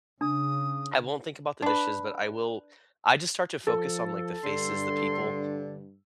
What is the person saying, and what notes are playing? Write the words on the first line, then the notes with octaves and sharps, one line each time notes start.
I won't think about the dishes, but I will I just start to focus on, like, the faces, the people,
C#3 D4 D#6
D4 B4
F3 A4
G2 D3 C6